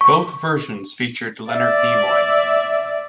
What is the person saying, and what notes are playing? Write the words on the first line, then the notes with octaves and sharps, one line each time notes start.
Both versions featured Leonard Nimoy.
C#6
D5 E5